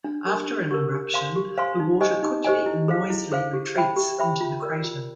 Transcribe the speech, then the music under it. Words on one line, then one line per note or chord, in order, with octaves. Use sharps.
After an eruption, the water quickly and noisily retreats into the crater.
D4
G4 A#4
D4
G4 A#4
G4
C5 F5 G#5 C6
G4
C5 F5 G#5 C6
D#4
G4 C5 D#5 G#5
D#4
G4 C5 D#5 G#5
E4
G#4 C5 F5
E4
G#4 C5 F5
G4
C5 E5 G5 B5
G4
C5 E5 G5 B5
F4
A#4 D5
F4